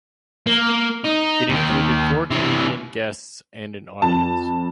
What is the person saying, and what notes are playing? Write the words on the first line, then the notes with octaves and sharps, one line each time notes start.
It included four comedian guests and an audience.
A#3
D#4
D#2 D#3
C3 E3
F2 A5